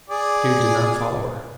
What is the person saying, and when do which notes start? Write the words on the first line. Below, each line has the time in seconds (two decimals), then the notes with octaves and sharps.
Jude did not follow her.
0.09 G#4 D5